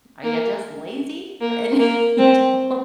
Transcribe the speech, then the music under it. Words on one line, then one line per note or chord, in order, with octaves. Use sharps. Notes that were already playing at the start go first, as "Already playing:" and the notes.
are ya just lazy? And you don't"
A#3
A#3
A#3
C4